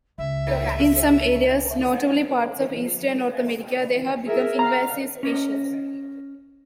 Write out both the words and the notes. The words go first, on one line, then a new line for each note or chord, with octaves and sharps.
In some areas, notably parts of eastern North America, they have become invasive species.
C#2 E5
G#4 A#4 E5
F5 A#5
C#4 C#5 D#5